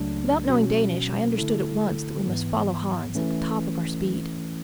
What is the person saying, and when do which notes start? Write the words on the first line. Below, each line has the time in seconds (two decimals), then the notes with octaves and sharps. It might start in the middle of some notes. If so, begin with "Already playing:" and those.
Without knowing Danish I understood at once that we must follow Hans at the top of our speed.
Already playing: C#2 C#3 F#3 A3 D4
0.49 B2 F#3 C#4 F#4
1.38 D3 A3 E4 A4
2.26 G#2 E3 B3
3.15 E3 A3 C#4